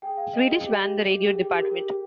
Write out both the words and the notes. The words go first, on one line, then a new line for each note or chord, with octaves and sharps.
Swedish band The Radio Dept.
G#4 G5
F5
G#4 D#5
G4
G#4
A#4